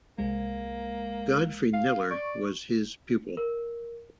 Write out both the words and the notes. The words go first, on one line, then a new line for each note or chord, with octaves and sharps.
Godfrey Kneller was his pupil.
C2 G#3 A#3
F5
D5 C#6
A#4